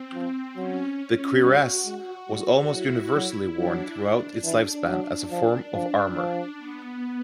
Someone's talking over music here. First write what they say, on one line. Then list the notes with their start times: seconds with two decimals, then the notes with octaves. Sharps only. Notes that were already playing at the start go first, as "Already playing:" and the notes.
The cuirass was almost universally worn throughout its lifespan as a form of armour.
Already playing: C4
0.14 F3
0.56 F#3 C#4
1.42 G3 F#4
1.85 G#3
2.28 G3 F#4
2.71 F#3 E4
3.15 F#3
3.57 F#3 D4
4.00 D4
4.44 E3
4.87 F#3 D4
5.30 F3
5.73 F3 D4
6.15 F3
6.59 B3